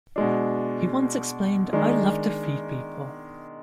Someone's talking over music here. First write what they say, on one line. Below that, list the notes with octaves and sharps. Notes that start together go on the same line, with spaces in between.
He once explained, I love to feed people.
B2 G#3 D4
D#3 G#3 D4